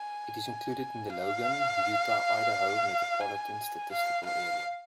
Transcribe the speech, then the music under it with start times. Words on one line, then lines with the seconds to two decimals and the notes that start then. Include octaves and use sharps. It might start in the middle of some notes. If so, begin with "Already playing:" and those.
It is included in the Logan, Utah-Idaho Metropolitan Statistical Area.
Already playing: G#5
1.10 F5
3.21 G#5
3.91 F5
4.25 F5